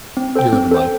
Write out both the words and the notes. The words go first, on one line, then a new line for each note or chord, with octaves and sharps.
You're living life.
C4
A4 C5 G5
C4
A4 C5 G5